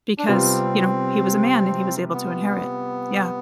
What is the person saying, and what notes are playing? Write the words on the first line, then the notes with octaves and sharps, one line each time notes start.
because, you know, he was a man, and he was able to inherit. Yeah.
D4
C3 G3 B3 C4 F4
B3